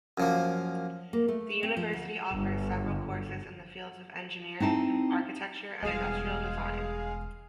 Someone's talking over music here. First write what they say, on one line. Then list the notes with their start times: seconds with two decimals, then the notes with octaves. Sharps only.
The university offers several courses in the fields of Engineering, Architecture and Industrial Design.
0.18 F#2 F3 A#3
1.13 A#3
1.28 A3
1.63 C4
1.77 F3
1.93 D2
2.33 G1
4.60 C4 D#4 E4 A5
5.83 E1 G3 G#3 G#4 F5